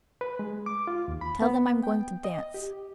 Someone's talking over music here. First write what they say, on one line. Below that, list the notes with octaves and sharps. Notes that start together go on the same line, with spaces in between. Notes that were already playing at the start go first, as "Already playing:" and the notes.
Tell them I'm going to dance.
B4
G#3
D6
F4
D#2
B5
B3
G5
D#5
G4